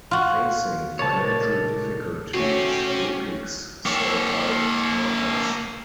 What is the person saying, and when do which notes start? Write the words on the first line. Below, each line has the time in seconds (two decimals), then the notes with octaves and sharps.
Facing financial difficulties, Epyx sought out partners.
0.11 F4 F#4
0.99 A#2 C#3 G#3 C#5 D5 A5
2.34 A3 C4 C#4 F#4 G4 C#5
3.86 A#3 C#5